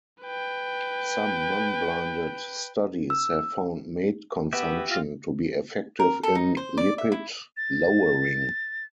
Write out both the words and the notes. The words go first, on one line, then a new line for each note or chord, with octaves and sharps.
Some non-blinded studies have found mate consumption to be effective in lipid lowering.
B4 G5
E6
B3 F#4 G4 E5
F4
A#4
A4
D#4
C5
D5
E5
E4
A6